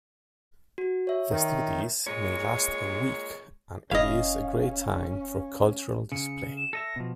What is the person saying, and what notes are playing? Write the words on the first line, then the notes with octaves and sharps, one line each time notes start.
Festivities may last a week and it is a great time for cultural display.
F#4
C#5 E5
D#3
A#2 G#3 C#5
F1 C#4 E4 D#5 F5
C#3 C#7
E7
A4 D#5 E5 A#6
B2 F3